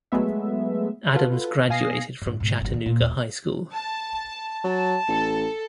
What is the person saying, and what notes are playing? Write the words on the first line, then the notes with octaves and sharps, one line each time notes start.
Adams graduated from Chattanooga High School.
F#3 G#3 A3 B3 E5
F4 F#4 A4 B4
B2 F5 G#5 D#6 A#6 C7
G#2 D3
G#2 B2
G1 F#2
D#3
A#2
D#1
A5
F#3 A5
A1 A4